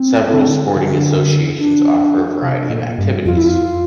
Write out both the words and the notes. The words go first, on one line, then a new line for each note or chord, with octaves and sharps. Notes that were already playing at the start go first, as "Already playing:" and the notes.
Several sporting associations offer a variety of activities.
Already playing: C4
D3
D3
D4
C3
A#2
G2
F2 F4
E4
F4